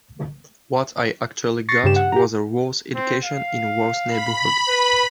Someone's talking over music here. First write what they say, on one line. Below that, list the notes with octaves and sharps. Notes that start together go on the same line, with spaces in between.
What I actually got was a worse education in a worse neighborhood.
C#6 A6 A#6 C7 C#7
G2 C#3 G4 E7
F#5
G4 A#5
C4
F5
B5
B4